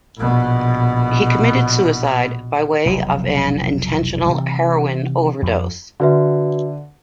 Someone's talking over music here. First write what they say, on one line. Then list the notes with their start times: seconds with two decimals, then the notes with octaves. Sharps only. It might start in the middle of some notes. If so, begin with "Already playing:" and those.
He committed suicide by way of an intentional heroin overdose.
0.18 A#1 B2
2.86 F1 B1
4.26 C3 E3 G3
5.42 F2
6.00 D3 F#4 B4 E5